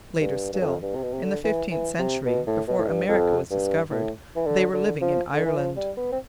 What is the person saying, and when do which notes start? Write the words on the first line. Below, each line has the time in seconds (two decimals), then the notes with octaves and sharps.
Later still, in the fifteenth century, before America was discovered, they were living in Ireland.
0.20 G2
0.53 G2
0.61 F2
0.82 G2
0.95 C3
1.03 B2
1.13 C3
1.23 D3
1.44 E3
1.71 E3
1.99 C3
2.26 B2
2.47 A2
2.68 B2
2.78 A2
2.88 G2
3.09 F2
3.51 G2
3.91 A2
4.36 E3
4.46 D3
4.74 D3
5.02 F3
5.33 D3
5.45 E3
5.56 F3
5.76 G3
5.97 B3
6.12 C4